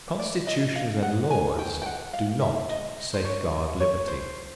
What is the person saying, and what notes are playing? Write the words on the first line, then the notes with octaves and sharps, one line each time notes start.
Constitutions and laws do not safeguard liberty.
D5
D#5
F5
F#5
G#5
G5
G5
F#5
F5
E5
D#5
C5
C#5
C#5
C5